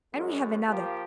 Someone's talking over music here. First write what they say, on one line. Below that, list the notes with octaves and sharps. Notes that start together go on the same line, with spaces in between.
And we have another.
F#2 G#3
F3 A#3 G4